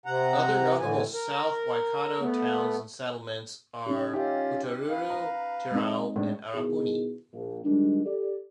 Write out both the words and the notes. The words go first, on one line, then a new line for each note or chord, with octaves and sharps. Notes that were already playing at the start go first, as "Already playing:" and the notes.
Other notable South Waikato towns and settlements are Putaruru, Tirau and Arapuni.
C3 F#5 A#5
A2 D3 E3 G#5
A#4
A3 B3
C#4 D#4 G4
C#4 D#4 F4 G4 E5
B4 F5
A#5
G#3 C4 D#4
A2 G#3 D4
B2 D#3 B3 E4 F#4 G#4
A#1
D#3 F3 G3 G#3 D4
G4 A4 D5